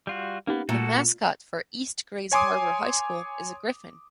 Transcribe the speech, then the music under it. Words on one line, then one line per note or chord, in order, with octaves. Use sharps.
The mascot for East Grays Harbor High School is a Gryphon.
G3 F4 F#4
A#3 B3 C#4 D#4 G4
A#2 A3 F#4 A4 E6
C#5 G#5 C6 D6 D#6